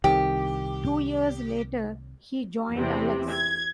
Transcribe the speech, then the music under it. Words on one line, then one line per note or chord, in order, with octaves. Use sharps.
Two years later he joined Alex.
C2 D#3 C4 G4
E2 C3
G#6